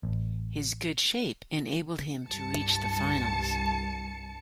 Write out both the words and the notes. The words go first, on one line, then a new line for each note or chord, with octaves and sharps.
His good shape enabled him to reach the finals.
A1
C2 G2 A5 C#7